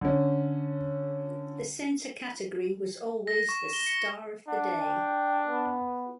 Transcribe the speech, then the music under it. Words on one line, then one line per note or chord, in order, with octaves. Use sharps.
The center category was always the "Star of the Day".
D3 C#4
A#6
C#6
G7
C#7
D4 F#5
G5
B3